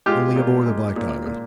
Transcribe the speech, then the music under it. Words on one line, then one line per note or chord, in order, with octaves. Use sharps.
'Only aboard the Black Diamond.
G#3 F4 G4
A#2
G#3
A#2
A#2